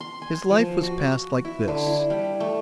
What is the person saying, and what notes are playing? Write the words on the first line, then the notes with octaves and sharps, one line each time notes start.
His life was passed like this.
C6
G#5
F3
F#4
E4
D3
E4
G3
A3